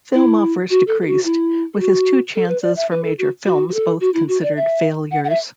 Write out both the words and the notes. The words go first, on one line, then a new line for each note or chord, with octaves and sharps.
Film offers decreased, with his two chances for major films both considered failures.
E4
F#4
A4
A4
F#4
E4
A4
F#4
A4
B4
D5
E5
B4
A4
F#4
F#4
F#4
A4
F#4
E4
F#4
D5
E5
F#5
F#5
E5